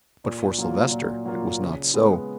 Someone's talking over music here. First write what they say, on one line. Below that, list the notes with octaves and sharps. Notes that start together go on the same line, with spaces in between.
But for Silvester it was not so.
A#2
F#3 A#3 F4
A#2
F#3 A#3 F4
C#3
G#3 B3